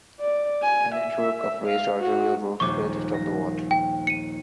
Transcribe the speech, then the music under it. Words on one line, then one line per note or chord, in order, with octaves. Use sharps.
A network of raised arterial roads failed to stop the water.
D5
G#5
E5
F5
F#4
A#1 D#2 G3 C#6 D6
A#6
G5
C#7 D#7